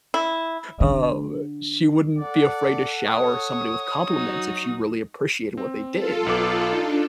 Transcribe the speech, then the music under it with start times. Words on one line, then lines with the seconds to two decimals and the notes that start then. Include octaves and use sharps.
um, she wouldn't be afraid to shower somebody with compliments if she really appreciated what they did.
0.14 E4
0.81 D3
2.18 A4 D5 F#5
3.07 C#5 D#6
4.08 F#3 D#4 F#4
5.57 C4
5.95 F4 A4
6.26 B1 B3 D6
6.73 D4 D#4